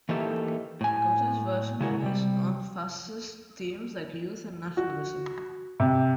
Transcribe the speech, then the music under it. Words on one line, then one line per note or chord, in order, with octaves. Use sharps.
Gotta's version plays on fascist themes like youth and nationalism.
E3 A3 A#3 D#4 G4 A4
A2 G#5
C#3 G#3 E4 F#4 A#4
C3 G3
F#4
C3